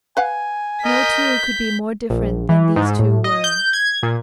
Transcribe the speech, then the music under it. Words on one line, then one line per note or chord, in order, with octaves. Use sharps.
No two could be more different than these two were.
B4 F5 F#5 G#5
A#4 D#5 G6 B6
A#1
E3
G#2
A2
D#5
G6
G#6
A#2